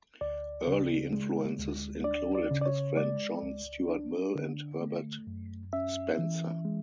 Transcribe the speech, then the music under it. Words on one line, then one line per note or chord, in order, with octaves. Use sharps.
Early influences included his friend John Stuart Mill and Herbert Spencer.
D2 D5
C#3
G#3
D2
D4 D5
D5
C#3
D5
C#5
G#3 D5
C#2
D4
D3
A3
F#2
C#4 E5
E3
G#3